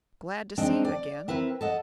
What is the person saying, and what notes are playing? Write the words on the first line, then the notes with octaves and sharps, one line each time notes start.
"Glad to see you again."
G#3 C4 D4 D#4 D#5 G5
D5
C4 E4 A#4 B4
A4 D#5 F#5